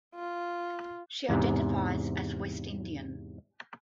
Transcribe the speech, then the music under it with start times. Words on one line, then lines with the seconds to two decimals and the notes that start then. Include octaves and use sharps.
She identifies as West Indian.
0.15 F4
1.29 E2 G#2 C3